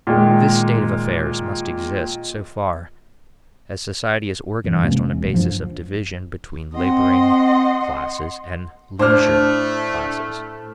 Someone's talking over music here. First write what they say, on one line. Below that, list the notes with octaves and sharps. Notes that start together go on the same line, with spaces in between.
This state of affairs must exist so far as society is organized on a basis of division between laboring classes and leisure classes.
A#2 D#3 G#3
D#1 G2 E3
C3 G#3 A#3 C#4
E1
A1 G2 F3
C4 D#5 F#5 C6
A2 A3 D4 C5 D6 F6